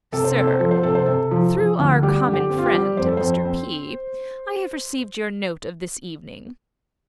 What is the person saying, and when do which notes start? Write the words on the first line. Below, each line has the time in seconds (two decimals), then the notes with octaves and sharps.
SIR,--Through our common friend, Mr. P., I have received your note of this evening.
0.12 C3 A4
0.24 C5
0.36 C4 A4
0.47 C5
0.59 F3 A4
0.71 C5
0.83 C3 A4
0.95 C5
1.06 C3 A4
1.31 F3
1.55 F3
1.79 D2
2.02 G3 G4
2.26 D3
2.34 G4
2.50 C4
2.58 F4
2.66 G4
2.73 G3
2.97 F2 C5
3.07 A4
3.17 F2 C5
3.45 C4